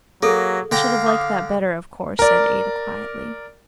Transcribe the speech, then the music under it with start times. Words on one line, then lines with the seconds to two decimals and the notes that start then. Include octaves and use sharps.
"I should have liked that better, of course," said Ada quietly.
0.23 F#3 A#3 G#4 A4
0.72 D3 F5 G5 A#5
1.06 D6 D#6
2.19 A#4 D5